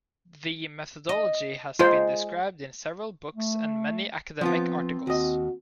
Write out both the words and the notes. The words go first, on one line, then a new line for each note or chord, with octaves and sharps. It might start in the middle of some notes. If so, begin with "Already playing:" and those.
The methodology has been described in several books and many academic articles.
D#5
G#3 F4 C5
A3
F3 B3 C4 F4
D#2 F#4 D#5